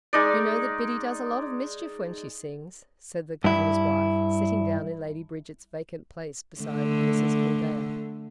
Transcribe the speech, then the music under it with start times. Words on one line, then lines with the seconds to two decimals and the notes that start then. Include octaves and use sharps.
'YOU know that Biddy does a lot of mischief when she sings,' said the Governor's wife, sitting down in Lady Bridget's vacant place beside Mrs Gildea.
0.13 G#3 D#4 D5
3.44 G2 E4
6.60 D3 A3